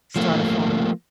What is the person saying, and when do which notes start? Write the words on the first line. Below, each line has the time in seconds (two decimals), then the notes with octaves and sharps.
Start a farm.
0.16 F3 A3 A#3